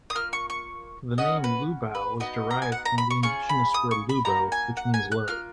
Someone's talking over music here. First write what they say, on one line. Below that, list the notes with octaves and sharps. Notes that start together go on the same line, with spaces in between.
The name Lubao was derived from the indigenous word "lubo" which means low.
D#6
A#3 F4 F6
C#6
C#6
C#4 F#4 D#5
B4
B4
B3 D#4 F#4 D#5
A#5
G#5
F#5
A#5
B5
C#6
C#4 F4 G#4 C#6
B5
D#6
C#6
B5
A#3 D#4 F#4 A#5
G#5
F#5
G#5
F#6
A#3 F4 F6